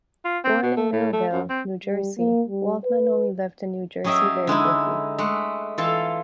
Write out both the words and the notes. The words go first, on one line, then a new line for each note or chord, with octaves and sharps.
Born in Millville, New Jersey, Waldman only lived in New Jersey very briefly.
F4
C4
B2
A3
A2
A3
F#2
C4
G3
A#3
G3
B4
F#3 C#4 G#4 D#5 E5 G5
D3 G#3 D#4 E4
G#3 A3 F#5
E3 F4 A4 F5